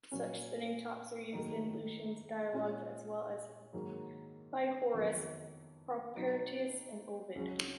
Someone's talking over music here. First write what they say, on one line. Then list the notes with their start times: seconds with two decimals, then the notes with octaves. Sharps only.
Such spinning tops are used in Lucian’s dialogues as well as by Horace, Propertius and Ovid.
0.12 A#2 F#3 A#3 C#4
1.32 G#2 D#3 F#3 A#3 D#4
2.53 A#2 G#3 C#4 F4
3.73 G#2 D#3 F#3 A#3
4.94 F2 D#3 F#3 B3
6.15 B2 F#3 B3 D#4
7.35 C#2 C#3 F#3